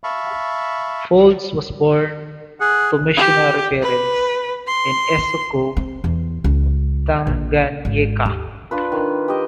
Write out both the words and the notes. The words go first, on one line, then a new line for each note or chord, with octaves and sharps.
Faulds was born to missionary parents in Isoko, Tanganyika.
E5 F5 A5 B5 C#6
G#4 F#5
G4
B4
C6
C4
E2
C#2
A#1
G#1
D#2
D4 F4 B4
D#3
G4 D#5